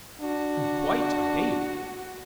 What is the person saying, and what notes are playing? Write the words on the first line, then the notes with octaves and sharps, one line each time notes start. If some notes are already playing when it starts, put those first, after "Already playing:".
I'm quite a baby.
D4 F#4